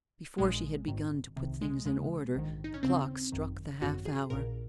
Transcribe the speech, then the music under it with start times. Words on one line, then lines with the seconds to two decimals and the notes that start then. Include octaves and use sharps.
Before she had begun to put things in order, the clock struck the half-hour.
0.38 A#1 A#2 G#3
0.88 G#1 G#2 D#3
1.37 C2 C3 D#3
1.62 G#3
1.85 D#2 C#3 G#3
2.35 A#1 G#2 D#3
2.64 D#4
2.74 C#4
2.83 D#2 C#3 C4
3.32 G#1 F#2 D#3
3.81 G#1 F#2 D#3 F#4
4.05 G#4
4.30 A#1 A#2 A#4